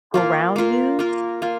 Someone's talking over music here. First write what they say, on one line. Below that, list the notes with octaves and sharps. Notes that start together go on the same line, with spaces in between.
Ground News?
A#3 F4 A#4
A#3 F4 A#4
A#3 F4 A#4
A#3 F4